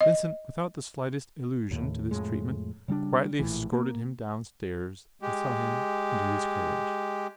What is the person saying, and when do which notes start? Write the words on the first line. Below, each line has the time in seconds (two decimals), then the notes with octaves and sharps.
Vincent, without the slightest allusion to this treatment, quietly escorted him downstairs and saw him into his carriage.
0.01 D#5
1.71 D#2 A2
2.11 F2 A2 G#3
2.88 C#3 G3 A3 D4
3.39 A#1 A2 E3
3.72 A#3
5.22 G#3 G4